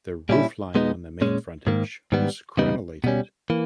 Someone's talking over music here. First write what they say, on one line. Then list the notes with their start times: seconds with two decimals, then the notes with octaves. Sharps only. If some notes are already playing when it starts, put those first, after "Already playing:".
The roofline on the main frontage was crenelated.
0.29 A#2 G3 C#4 E4
0.75 B2 G#3 B3 D#4
1.21 A#2 G#3 C#4
1.67 G#2 D#3 A#3
2.12 G#2 D#3 G3 B3
2.57 E2 C#3 G3 B3 D#4
3.04 B2 G3 C#4
3.50 E3 A#3